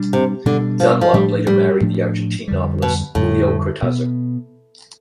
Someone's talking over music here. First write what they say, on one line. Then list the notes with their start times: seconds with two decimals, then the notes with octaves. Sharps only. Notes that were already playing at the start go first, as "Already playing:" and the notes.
Dunlop later married the Argentine novelist Julio Cortazar.
Already playing: B2 G3 D4
0.13 C3
0.46 B2 D3 G3 D4
0.80 F3
1.01 F3
1.13 A2 F3 G3 A3 D4
1.47 G3
1.81 A2 F3 A3 D4
2.48 F2 D3 G3
2.82 B2
3.15 F2 A2 D3 G3
3.82 B2 G3
3.86 B3